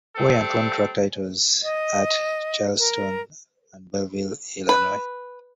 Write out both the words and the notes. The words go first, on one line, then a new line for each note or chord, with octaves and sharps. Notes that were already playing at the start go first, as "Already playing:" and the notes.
Weyant won track titles at Charleston and Belleville, Illinois.
G3 A3 C4 D4 A4
D#5
A#4
B4